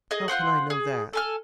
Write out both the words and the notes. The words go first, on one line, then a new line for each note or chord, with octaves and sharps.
"How can I know that?"
G#4 D#5
F4 B4 C5 F#5
G#4
A4 G#5 F6